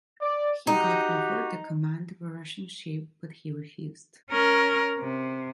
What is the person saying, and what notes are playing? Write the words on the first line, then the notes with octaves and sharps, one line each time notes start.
He got offered the command of a Russian ship, but he refused.
D5
D#4 F#4 G4
C#4 A#4
C3